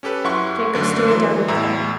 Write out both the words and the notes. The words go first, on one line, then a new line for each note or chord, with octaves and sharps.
Jacob stared down at them.
C#4 G4 A4 B4
F#2 E4 F#5 C6 C#6
F#2 D3 A3 D4
E3 F#3 C6 E7
E2 A2 E4 A#5 E6